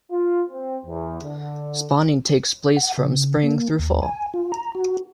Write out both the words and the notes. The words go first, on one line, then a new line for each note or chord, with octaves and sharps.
Spawning takes place from spring through fall.
F4
C4
E2
D3
F#5
C#3
A#3
D#2
G#5
F4
A#5
F#4